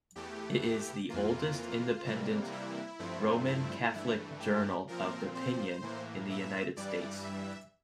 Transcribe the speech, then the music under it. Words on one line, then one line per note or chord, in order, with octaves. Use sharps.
It is the oldest independent Roman Catholic journal of opinion in the United States.
E2 E3 A3 G4
G4
F2 E3 A#3 F4
C3 E3 G3 A#3
E4
G2 F3 A3 C4
E4
G2 E3 A3
G4
A#2 F3 C4 A#4
C5
A2 E3 A#3
E5
G2 E3 G3 D5
E5